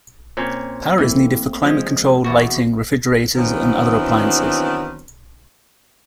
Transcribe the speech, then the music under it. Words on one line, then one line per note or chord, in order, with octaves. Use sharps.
Power is needed for climate control, lighting, refrigerators and other appliances.
A#2 C4 C#4
E3 A3 A#3 C4
F3 G#3
E2 B2 F#4
D#3 E3 F#3 B3 C4 D4